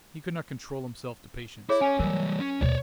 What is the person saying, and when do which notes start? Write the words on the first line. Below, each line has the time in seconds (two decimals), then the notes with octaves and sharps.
He could not control himself to patience.
1.69 E4 G#4 C#5 E5
1.81 C#4 C#5 G#5
1.99 E3 F#3 G3 A#4
2.40 C#4
2.61 D#2 B2 C#5 D5